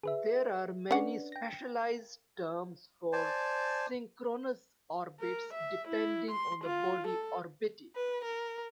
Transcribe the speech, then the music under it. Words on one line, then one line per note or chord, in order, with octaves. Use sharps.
There are many specialized terms for synchronous orbits depending on the body orbited.
G#4 B4 E5
C#4 D4 B4 D5 F#5
G5 A#6
C5 D5 G#5 A5
A#4
E5
E4
C6
F4
A4
B4
A#4